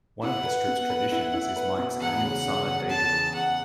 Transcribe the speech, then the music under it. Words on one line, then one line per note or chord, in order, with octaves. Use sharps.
One of the strip's traditions is Mike's Annual Summer Daydream.
E4 F#5
B4
B3
B4
E4
E4
B4
B2
E2 F#5
C#3
C#3
E2
C#3 A5
E3
E2 F#5